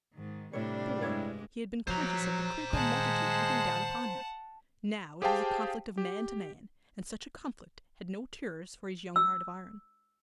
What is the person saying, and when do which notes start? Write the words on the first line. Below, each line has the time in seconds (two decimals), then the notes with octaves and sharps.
Before, he had been conscious of the critical multitude looking down upon him; now it was a conflict of man to man, and such a conflict had no terrors for his young heart of iron.
0.15 G#2 D#3
0.53 A2 C3 G3 D4 C#5
1.01 G2 G#3 E4 C#5 D5
1.88 F3 F#3 C5 A#5
2.73 A#2 D#3 G#3 F#5 A5
5.22 G4 G#4 C5 F5 G5 A5
5.98 G4
9.16 E6